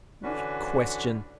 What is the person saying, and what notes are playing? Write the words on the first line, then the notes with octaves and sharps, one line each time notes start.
"What a question!"
D3 E3 C#4 D4 F#4 B4